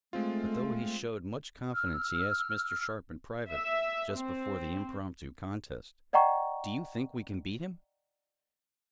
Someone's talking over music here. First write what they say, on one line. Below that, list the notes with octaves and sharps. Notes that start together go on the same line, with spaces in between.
But, though he showed much confidence he asked Mr. Sharp in private, just before the impromptu contest: "Do you think we can beat him?"
G#3 A3 C4 F4
E6 F6
E5
C4
D5 D#5 F#5 G5 A#5 C#6